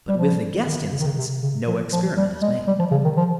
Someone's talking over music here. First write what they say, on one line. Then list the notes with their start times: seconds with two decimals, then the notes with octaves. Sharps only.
But with the "guest-incense" no experiment is made.
0.08 G3
0.18 F3
0.67 D#3
0.92 C#3
1.00 D#3
1.06 C#3
1.18 C3
1.42 C#3
1.67 F3
1.92 F3
2.17 G3
2.42 G#3
2.67 G3
2.79 F3
2.91 C#3
3.04 D#3
3.17 F3